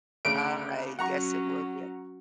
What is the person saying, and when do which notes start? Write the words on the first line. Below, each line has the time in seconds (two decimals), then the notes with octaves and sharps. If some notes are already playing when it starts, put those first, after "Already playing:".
I guess it would, yeah.
0.25 D2 C#3 D7
0.99 F#3 C#4 F#5 A#5 C#6